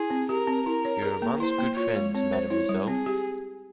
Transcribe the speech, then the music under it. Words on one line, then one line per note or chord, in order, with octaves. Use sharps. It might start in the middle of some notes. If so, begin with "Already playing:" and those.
You are amongst good friends, mademoiselle.
Already playing: E4 G#4
C4
G4 A#4
C4
E4 A#4
C#5
G#4
A#3
E4 C5
A#3
F4 C#5
G#3
C4 C#5
C5
E4 C#5
G3
C4 G#4
G4